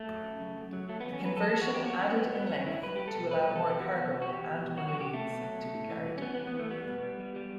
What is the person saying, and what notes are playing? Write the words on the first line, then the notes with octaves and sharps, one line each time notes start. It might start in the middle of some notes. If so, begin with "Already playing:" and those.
The conversion added in length to allow more cargo and marines to be carried.
Already playing: A3
F#3
F#2
C#3
F#2
F#3
F#3 A3
B3
E2
C#4
F#3 B4
E2 A4
A4
E2
F#4
E2 G4
F#3 F#4
F#3 C#4
B3
F#3
F#3 B3
G2 C#4
F#3 E4
G3 B4
G3 G4
A4
B2
G3 B4
B2
A4
B2
G4
E2 F#4
B2
B2
F#4
E2 G4
B2
E2
F#3 F#4
F#4
B2
G4
B2 A3
B2
F#3
B2
A2
E3
G3
C#4
G3 B3
B3
E3
B3
E3
A3
G3 B3
B2
G3
G3
G3